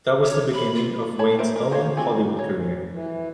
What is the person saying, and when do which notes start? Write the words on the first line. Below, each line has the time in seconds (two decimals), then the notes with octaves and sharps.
That was the beginning of Wayne's own Hollywood career.
0.25 C#5
0.54 B5
0.75 F4
1.19 C#5 A5 B5
1.39 A#4 C5 E5
1.56 A#4
1.71 F#4 C5 C#5 F5
1.97 C4 F4 F#4 G#4
2.39 C#5
2.93 E3